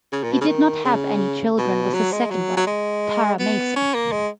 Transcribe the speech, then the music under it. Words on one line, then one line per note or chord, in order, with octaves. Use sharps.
He did not have any children with his second wife, Tara Mason.
C#3
A#2
B2
C#3
D#3
C#3
B2
F#3
G#3
F#3
F#3
G#3
B3
C#4
A#3
G#3